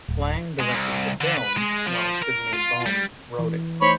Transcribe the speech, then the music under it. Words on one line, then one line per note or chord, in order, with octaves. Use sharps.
Lang directed the film while Sydney Boehm wrote it.
D1
G#3
C2
D3
B4
G#3
F3
A#4
F4
G3
E3
A3 D#4 C5 C#5 B5